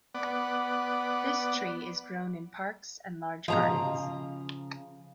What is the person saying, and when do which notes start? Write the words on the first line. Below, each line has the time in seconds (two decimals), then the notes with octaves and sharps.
This tree is grown in parks and large gardens.
0.15 B3 D5 F#5
3.48 B2 F3 G#4 D#5 A#5
3.62 C#3